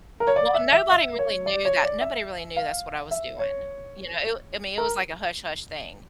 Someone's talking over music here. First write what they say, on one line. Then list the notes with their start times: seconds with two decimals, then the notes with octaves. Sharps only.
Well, nobody really knew that. Nobody really knew that's what I was doing. You know, it w I mean, it was like a hush-hush thing.
0.20 A#4
0.27 C#5
0.36 D5
0.54 E5
0.73 E5
0.91 E5
1.19 C#5
1.46 D5
1.65 C#5
1.83 D5
2.01 E5
2.56 F5
3.11 E5
3.39 C#5
4.78 A#4